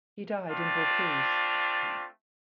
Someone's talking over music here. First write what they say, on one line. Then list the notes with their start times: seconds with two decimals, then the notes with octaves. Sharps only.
He died in Vaucluse.
0.50 A3 C4 D4 F4